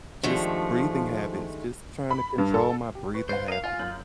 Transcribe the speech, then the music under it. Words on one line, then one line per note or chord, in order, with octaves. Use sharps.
just breathing habits, just trying to control my breathing habit.
D#3 F3 G#3 A3 D4 G4
B5
G2
A4
G4
B4 C#6
B4 C5 F5
A#4 D#5 F5
F4 F5 G#5
F#2 G6 F#7